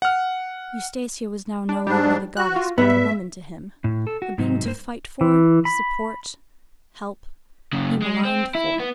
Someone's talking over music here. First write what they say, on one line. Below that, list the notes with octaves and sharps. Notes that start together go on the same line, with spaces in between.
Eustacia was now no longer the goddess but the woman to him, a being to fight for, support, help, be maligned for.
F#5 F6
D4
G#2 G3 D4
F#4 F#6
F4
G#2 G3 B3 E5
A2
A4
F#4
G#2 C3 F#3 D#4
G2 A#3 C5
E3
B5
F#2 C#3
G#3
C4
E4
B3